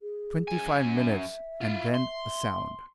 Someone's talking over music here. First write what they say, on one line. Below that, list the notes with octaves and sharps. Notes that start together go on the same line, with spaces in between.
Twenty-five minutes, and then a sound.
G#4
F#2 G#5
E5
E4 F4
C6